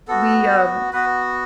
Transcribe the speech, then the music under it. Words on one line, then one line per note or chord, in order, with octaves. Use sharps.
We, um
B3 F#4 A4
B3 F#4 B4